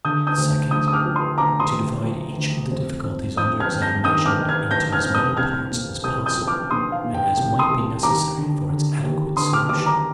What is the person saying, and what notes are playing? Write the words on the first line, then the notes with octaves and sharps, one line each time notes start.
The second, to divide each of the difficulties under examination into as many parts as possible, and as might be necessary for its adequate solution.
D3 D#6 G6
D#6 G6
D2
D2 D#6 G6
D#6
D6 F6
F3
C6 D#6
D2 A#5 D6
C6 D#6
D2
F3
D2
F2
F2
F2 D#6 G6
F6 G#6
F2
G6 A#6
D#3 D#6 G6
D6 F6
D#3
F6 G#6
D#3 G6 A#6
F6 G#6
F2
D#6 G6
C2 F6 G#6
A#2
C2 D#6 G6
D#6 G6
F3
D6 F6
A#2 C6 D#6
F5
A#2
G5
C2 G5
C6 D#6
C2
D#2 A#5 D6
D3
D3
D#2
D3 C6 D#6
D6 F6
D#2 D6 F6
A#5 D6